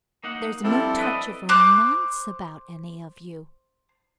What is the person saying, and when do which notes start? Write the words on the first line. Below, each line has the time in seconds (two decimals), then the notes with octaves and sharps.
There's no touch of romance about any of you.
0.24 A#3 D#4 F#5
0.64 F3 G3 C4 D4 E4 A4
0.98 B4 D5 D#5
1.49 C5 D6 F#6